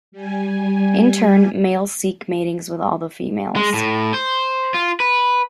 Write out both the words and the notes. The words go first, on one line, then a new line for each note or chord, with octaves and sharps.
In turn, males seek matings with all the females.
G3 G#5
G#3
A2
C5
F4
B4